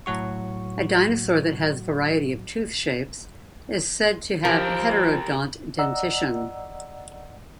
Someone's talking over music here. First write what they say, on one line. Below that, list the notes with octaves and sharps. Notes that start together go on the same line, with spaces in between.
A dinosaur that has variety of tooth shapes is said to have heterodont dentition.
A2 F#3 F#4 C#6
F3 G4 A#4
D5 D#5 F#5 A#5 E6